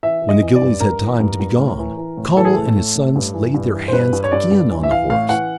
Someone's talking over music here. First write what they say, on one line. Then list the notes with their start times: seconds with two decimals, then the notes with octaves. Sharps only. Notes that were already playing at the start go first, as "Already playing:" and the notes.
When the gillies had time to be gone, Conall and his sons laid their hands again on the horse.
0.03 E3 E5
0.22 E3
0.29 D#5
0.42 E3
0.55 D5
0.62 G2
0.80 G2 A#4
1.00 E3
1.20 G2
1.40 G2
1.59 A2
1.79 E3
1.97 E3
2.17 A2
2.36 E3 A4
2.45 G#4
2.53 A2 A4
2.76 A2
2.96 A2
3.16 G2
3.34 E3
3.54 G2
3.73 E3
3.88 C5
3.93 G2 B4
4.13 G2
4.24 C#5
4.31 G2 D5
4.51 G2
4.71 E3
4.83 E5
4.90 E3 F5
5.10 A2 F5
5.29 E3 F#5